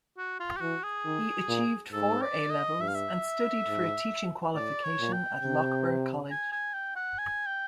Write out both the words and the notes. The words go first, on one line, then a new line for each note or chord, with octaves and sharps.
He achieved four A levels and studied for a teaching qualification at Loughborough College.
F#4
F4
G4
E3 F#4
G#4
D#3
A#2
G#2 A4
D5
D#5
G2 E5
F5
E5
G#2
A2 D5
C#5
A#2
G5
C3
G#5
G#5
G5
F#5
G#5
G5